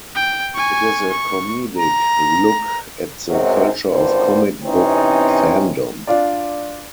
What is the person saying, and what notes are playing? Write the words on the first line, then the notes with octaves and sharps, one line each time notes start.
It is a comedic look at the culture of comic book fandom.
G5
G#5 C#6
C#6
A#5
F#2 C3 F#3 G#3
G#1 C#2 G2 D3 C5
C3 E3 C4 C#4 D#4
D4 F4 D5